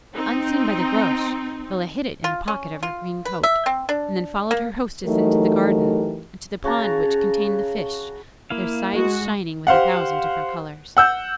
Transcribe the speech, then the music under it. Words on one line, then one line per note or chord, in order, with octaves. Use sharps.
Unseen by the Groac'h, Bellah hid it in a pocket of her green coat, and then followed her hostess into the garden, and to the pond which contained the fish, their sides shining with a thousand different colours.
C4 D#4
F4
C#4
F4
B4
E5
C4
D4
A#3
E3 F#3 A3 D#4 G4 A#4
C#3 F#4 A5 A#5
A#3 E4 F5
G#3 F#4
G4 C5 F5 F#5
F#5 E6 G6